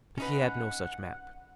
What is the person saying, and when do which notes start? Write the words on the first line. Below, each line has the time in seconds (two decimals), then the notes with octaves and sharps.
But he had no such map.
0.18 C#4 D#4 B4 F#5